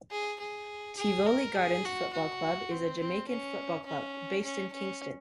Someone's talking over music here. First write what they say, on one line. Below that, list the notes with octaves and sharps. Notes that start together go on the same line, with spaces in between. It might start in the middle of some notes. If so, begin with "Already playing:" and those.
Tivoli Gardens Football Club is a Jamaican football club, based in Kingston.
G#4
G#4
G#4
A#4
G#4
F#4
F#4
C4
C4
C#4
C#4
C#4
C#4